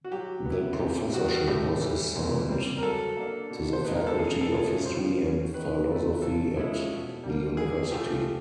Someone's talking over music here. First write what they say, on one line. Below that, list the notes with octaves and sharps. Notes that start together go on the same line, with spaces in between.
The professorship was assigned to the Faculty of History and Philosophy at the university.
F#4
F#3 G4
B3 E4
C3 G4
D#3 G3 F#4
A2 G4
E3 G3
A#2
G3 C4
A#4
F#3 A4
A#3 D4
B2
C5
G#3 B3 D#4 B4
A#4
A4
C#3 G#4
A4
F3 G#3 C#4 E4
F3 C5
A#3 C#4
D#3 B4
F#3 A3
C#3 A4
F3 G#3 C#4 E4
B2
G3 A#3
D3 G#4
F3 A3 G4